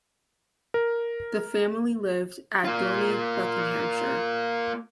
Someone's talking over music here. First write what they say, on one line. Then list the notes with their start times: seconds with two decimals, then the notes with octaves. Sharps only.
The family lived at Dorney, Buckinghamshire.
0.74 A#4
2.65 A#3 F4